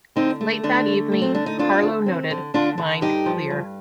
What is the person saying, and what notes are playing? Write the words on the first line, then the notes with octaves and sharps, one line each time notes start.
Late that evening Harlow noted: Mind clear.
D3 C4 D#4
A3
D3 D4
A3
A3
C4
D3 D4
D#4
C4 D4 F4
D3
C4
D3
D3 D4 F4
D3
G2 D#4 G4
F3
G2